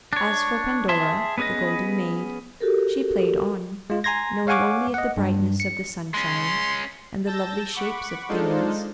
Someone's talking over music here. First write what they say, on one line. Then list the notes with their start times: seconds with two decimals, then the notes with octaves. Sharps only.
As for Pandora, the Golden Maid, she played on, knowing only the brightness of the sunshine and the lovely shapes of things.
0.13 D4 C#5
0.89 G#4 E5 A5 C6
1.38 B3 C#4 G#4 B4 D#5
2.60 F#4 G4 A4 A#4
3.90 G#3 F4
4.04 G#5 A#5 C6 G#6 A#6
4.47 C#5 F5 F#5 G#5 C#6 D6
4.94 D#5 F#5
5.17 G2
5.60 C#7
6.14 G#3 C#4 C6
7.26 A5 E6 G6 A6 A#6
7.74 F#5 B5 C#6 D6
8.29 G#3 D4 D#4 F4 A4 C5